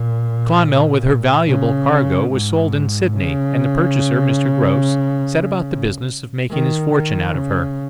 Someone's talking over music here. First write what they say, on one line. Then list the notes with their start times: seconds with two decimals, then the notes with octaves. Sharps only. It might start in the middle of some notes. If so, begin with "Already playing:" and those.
The 'Clonmel', with her valuable cargo, was sold in Sydney, and the purchaser, Mr. Grose, set about the business of making his fortune out of her.
Already playing: A#2
1.47 C#3
2.31 G#2
3.16 C#3
6.51 D#3
6.92 D#3
7.34 C#3